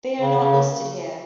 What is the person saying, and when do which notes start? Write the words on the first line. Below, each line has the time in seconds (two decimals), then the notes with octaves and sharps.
They are not listed here.
0.21 C#3
0.39 C#3